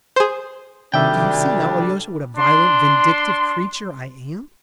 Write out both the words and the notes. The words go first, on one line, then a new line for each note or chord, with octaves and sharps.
Do you see now, Alyosha, what a violent, vindictive creature I am?
G#4 C5
D2 C3 D#3 G3 D4 E5 G5
D4 C6